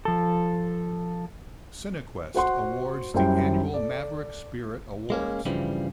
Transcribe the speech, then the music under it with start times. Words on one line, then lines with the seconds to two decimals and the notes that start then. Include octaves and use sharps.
Cinequest awards the annual Maverick Spirit Awards.
0.05 F3 A4
2.34 F#4 C5 F#5 C6
3.14 F#2 G3 E4 C5 G5
3.74 A4 D5
5.10 G#3 A#3 C#4
5.46 G2 C#3 E3 F3 G3